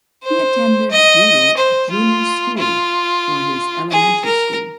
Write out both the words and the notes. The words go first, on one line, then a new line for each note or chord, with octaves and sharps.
He attended "Budo Junior School" for his elementary school.
C5
D#5
C5
F4
F4
G#4
A#4